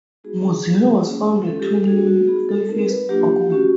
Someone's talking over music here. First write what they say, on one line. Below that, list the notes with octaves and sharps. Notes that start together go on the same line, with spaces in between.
Mozilla was founded twenty-five years ago.
G#3 B3 D#4 F#4 G#4
G#4
F#3 A#3 D#4 F#4
G3 A#3 C#4 E4
G#3 C#4 F4 A4
G4
A4
A#3 D4 F#4 G#4
F#4
B3 D#4 F#4 G#4
A4
A3 C4 D#4 A#4
B4
F#3 A#3 D4 F4 G4
A3 C#4 F#4 G4